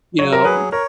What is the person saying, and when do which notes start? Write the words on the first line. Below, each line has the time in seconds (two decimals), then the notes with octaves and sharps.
you know?
0.19 F#3 C#5
0.32 A#4
0.45 G#4 B4
0.72 A#4 C#5